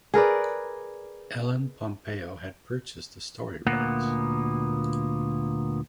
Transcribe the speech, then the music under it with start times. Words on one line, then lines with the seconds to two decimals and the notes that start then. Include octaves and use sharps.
Ellen Pompeo had purchased the story rights.
0.14 G#4 A#4 B4 D5
3.67 D2 A#2 A#3 B3 F#5